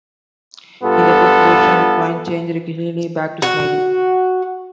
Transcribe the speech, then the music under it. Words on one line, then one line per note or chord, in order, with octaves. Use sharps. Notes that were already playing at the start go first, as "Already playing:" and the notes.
In the book version, Twain changed Greeley back to Smiley.
G2 B3 F4 A4
F#4